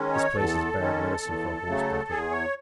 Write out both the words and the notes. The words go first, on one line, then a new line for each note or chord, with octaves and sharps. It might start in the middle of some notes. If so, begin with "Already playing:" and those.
This place is bad medicine for a horse battle.
Already playing: D#3 G#3 C#4
C#5
E2 A4
D#3 G#3 C#4
E2
C#3 F#3 A3
E2 G#4
C#5